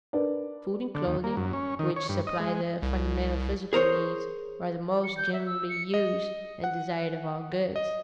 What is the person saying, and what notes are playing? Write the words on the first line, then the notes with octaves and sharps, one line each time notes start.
Food and clothing, which supply the fundamental physical needs, are the most generally used and desired of all goods.
D4 A#4 B4 D5
D3
D#2
A#3
F#2
C#4
D#3
C#5
G2
D#5
G#3
C2
G#4 A#4 C5 C#5
C#7
G6
E5
E6
C#7
D#5
F#5
D#5